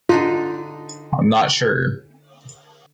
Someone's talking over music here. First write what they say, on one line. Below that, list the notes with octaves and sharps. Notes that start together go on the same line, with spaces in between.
I'm not sure.
D3 D4 D#4 F4